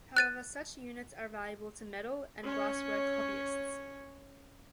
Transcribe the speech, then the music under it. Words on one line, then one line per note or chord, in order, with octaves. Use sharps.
However, such units are valuable to metal and glasswork hobbyists.
F#6 A6 D#7
C#4 C#5